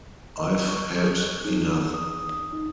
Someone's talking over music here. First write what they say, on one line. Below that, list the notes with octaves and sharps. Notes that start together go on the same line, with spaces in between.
I've had enough.
D#5
C#6
G#4
D#4
D#6
D#4